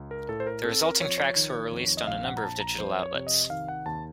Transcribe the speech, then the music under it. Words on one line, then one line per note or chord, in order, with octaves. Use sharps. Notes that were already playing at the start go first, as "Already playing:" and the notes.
The resulting tracks were released on a number of digital outlets.
Already playing: C#2
A#4
A2 A4
C5
A#4
C4 A4
A#4
F3 C#5
C#5
D#3
F2
D#5
A#1 F5
F#5
A#5
A#1 A5
A#5
F2 C5
C#5
C3
D#5
D#3 F5
F#5
D#2 A5